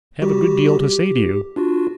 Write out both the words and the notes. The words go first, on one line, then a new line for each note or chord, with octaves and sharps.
I have a good deal to say to you.'
G3 F#4 G4
G4
D4 F4 F#4